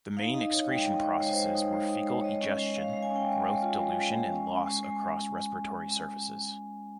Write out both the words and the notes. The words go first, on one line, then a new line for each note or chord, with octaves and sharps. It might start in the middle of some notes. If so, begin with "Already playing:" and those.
The main excretion processes were fecal egestion, growth dilution and loss across respiratory surfaces.
D#4 F5
D#4 D#5
D#4 C#5
G#3 G5
D#4
D#5
D#4
G#3 C#5
C5
G#3 C#5
D#4
G#3
D#4
G#3
C#5
G#3 D#5
C#4
G#3
G#3 F5
G#3 F5
G#5
C#4 G5
G#3
G#3
F4
G#3
F4
G#3
C#4 G#5
C#4
G#3
G#3 G#5